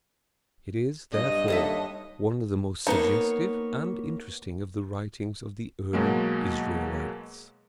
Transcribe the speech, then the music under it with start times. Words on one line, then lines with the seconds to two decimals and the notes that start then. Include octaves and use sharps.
It is, therefore, one of the most suggestive and interesting of the writings of the early Israelites.
1.12 G2 D#5
1.48 D#2 A4 E5
2.87 A#3 B3 D#4 C#5 A5
5.93 B2 F#3 G#3 A#3